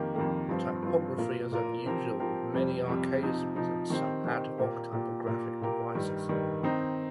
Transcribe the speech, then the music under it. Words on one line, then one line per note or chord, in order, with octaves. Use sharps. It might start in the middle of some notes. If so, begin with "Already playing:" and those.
The typography is unusual, with many archaisms and some ad hoc typographic devices.
Already playing: F2 D#3 A#3 G4
F2 D#3 A#3 G4
G2 F3 C4 F4
G2 F3 C4 F4
A#2 A#3 F4 A#4
A#2 A#3 F4 A#4
F3 C4 G4 A#4
F3 C4 G4 A#4
F2 C3 G3
F2 C3 G3
C3 F3 D#4
C3 F3 D#4
D#3 C4 G4
D#3 C4 G4
A#2 A#3 G4
A#2 A#3 G4
A#2 A#3 G4 A#4
A#2 A#3 G4 A#4
G2 D#3 G3
G2 D#3 G3
D#3 C4 D#4